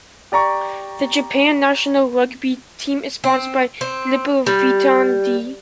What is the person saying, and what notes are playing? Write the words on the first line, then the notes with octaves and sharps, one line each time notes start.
The Japan national rugby team is sponsored by Lipovitan D.
G4 D5 A#5 C#6
C4
C4
G3